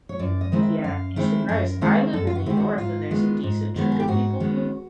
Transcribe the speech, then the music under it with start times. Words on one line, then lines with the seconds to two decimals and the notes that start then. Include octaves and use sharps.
Mm, yeah, I'm surprised, I live in the North, and there's a decent chunk of people who
0.09 C#5
0.19 F#2 D5
0.41 D#5
0.52 D#3 G#3 C4 E4
0.63 E5
0.84 F#2 F5
1.16 D#3 G#3 C4 E4
1.49 F#2 A#4
1.81 D#3 G#3 C4 E4
2.13 F#2 A4
2.27 F4
2.35 F#4
2.46 D#3 G#3 C4 E4 G4
2.57 F#4
2.78 G#2 F4
3.11 D#3 G#3 B3
3.43 G#2
3.76 D#3 G#3 B3
3.92 G#4
4.00 G4
4.08 G#2 F#4
4.40 D#3 G#3 B3